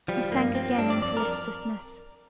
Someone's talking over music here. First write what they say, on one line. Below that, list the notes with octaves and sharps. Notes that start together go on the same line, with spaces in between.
He sank again into listlessness.
F3 G3
G2 A#3
F3 C4
G2 D4
D5
F2 D5
A#4